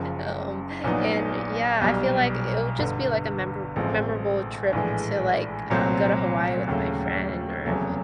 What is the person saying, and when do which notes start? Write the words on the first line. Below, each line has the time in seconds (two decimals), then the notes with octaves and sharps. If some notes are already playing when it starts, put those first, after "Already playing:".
Um, and, yeah, I feel like it would just be like a member memorable trip to, like, uh, go to Hawaii with my friend or
Already playing: F#1 F#2 C#3 F3
0.84 A#1 A#2 F#3 B3 D#4
1.81 B1 B2 G3
2.78 G1 G2 D3
3.76 A1 A2 F3 G#3 C4
4.73 A#1 A2 E3 G#3
5.70 C2 A#2 F#3 A3 C4
6.68 D#2 C#3 F#3 A3
7.64 F1 E2 C#3 F#3 A3